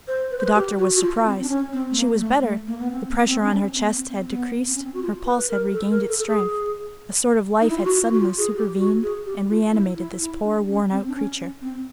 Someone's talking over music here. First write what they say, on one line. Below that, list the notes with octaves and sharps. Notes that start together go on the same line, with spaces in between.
The doctor was surprised; she was better; the pressure on her chest had decreased; her pulse had regained its strength; a sort of life had suddenly supervened and reanimated this poor, worn-out creature.
C5
B4
C5
B4
G4
F#4
F#4
F4
C4
D4
C#4
C4
A3
A#3
A3
A3
A#3
B3
C4
A#3
B3
C4
D4
C#4
C4
B3
C4
C4
B3
C4
C#4
C4
F#4
F4
B4
A#4
A4
A#4
A4
A4
G#4
D#4
E4
F4
F#4
F4
F#4
F4
G#4
G4
G4
F#4
G#4
G4
F4
E4
E4
E4
D4
C#4
C4
D4
C#4
C#4
C4